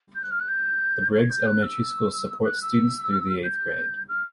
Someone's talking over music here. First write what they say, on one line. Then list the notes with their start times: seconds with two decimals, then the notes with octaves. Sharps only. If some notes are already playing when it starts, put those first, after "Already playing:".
The Briggs Elementary School supports students through the eighth grade.
0.15 G6
0.22 F#6
0.30 F6
0.39 F#6
0.48 G6
1.14 G#6
1.30 G6
1.46 F#6
1.62 E6
2.44 F#6
2.61 E6
3.43 G6
4.08 F6